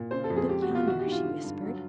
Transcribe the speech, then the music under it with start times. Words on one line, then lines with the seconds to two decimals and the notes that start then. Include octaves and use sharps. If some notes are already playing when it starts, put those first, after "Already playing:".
"Look yonder," she whispered.
Already playing: A#2
0.11 C#3 C5
0.24 A4
0.30 F2
0.36 G#4
0.49 G#3 G4
0.62 F#4
0.68 B2
0.75 F4
0.87 E3 F#4
0.99 G4
1.06 G#2
1.12 F4
1.25 D3
1.43 G2
1.62 F#3